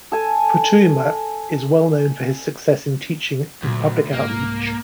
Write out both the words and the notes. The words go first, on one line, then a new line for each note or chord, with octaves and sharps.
Futuyma is well known for his success in teaching and public outreach.
A4 G#5
D2 A#2 F#3
C2 G#2 A#3